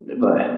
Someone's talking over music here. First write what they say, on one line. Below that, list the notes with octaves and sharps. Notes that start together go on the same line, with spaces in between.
D but
B3